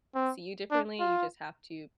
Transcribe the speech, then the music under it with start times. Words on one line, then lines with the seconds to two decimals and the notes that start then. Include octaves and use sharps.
see you differently. You just have to
0.15 C4
0.71 D4
1.00 F4